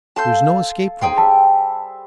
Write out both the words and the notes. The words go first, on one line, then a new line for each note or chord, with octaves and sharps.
There's no escape from it.
A4 F5 G#5 A5 C6 G6
G#3 D#4 G#4 C5 G5 C6
G3 E5 A5